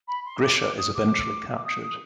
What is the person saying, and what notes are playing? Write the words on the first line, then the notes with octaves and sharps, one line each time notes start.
Grischa is eventually captured.
B5
C6
D6
D6
D#6
D6
D6
D#6
D#6